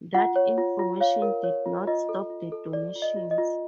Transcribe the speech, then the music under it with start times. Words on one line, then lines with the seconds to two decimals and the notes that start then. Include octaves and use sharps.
That information did not stop the donations.
0.14 F4 F#5
0.36 C#5
0.58 F4
0.79 F4
1.01 C#5 F5
1.22 A#4
1.44 C#5
1.66 F4
1.87 F4 D#5
2.09 A4
2.30 F4
2.52 A4
2.73 D5
2.95 F4
3.02 D#5
3.16 F4
3.31 D#5
3.38 F4